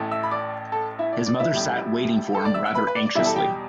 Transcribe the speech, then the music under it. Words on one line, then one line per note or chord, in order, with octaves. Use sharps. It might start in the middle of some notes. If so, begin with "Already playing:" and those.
His mother sat waiting for him rather anxiously.
Already playing: A1 A2 A3
E5 E6
B5
D5 D6
A4 A5
E4 E5
D5
D5
E4 E5
A1 A2 G3
A4 A5
D5 D6
E5 E6
E5 E6
B4 B5
B4
D5
D5
E2 B2 G3 E4 E5
A4 A5
G4 G5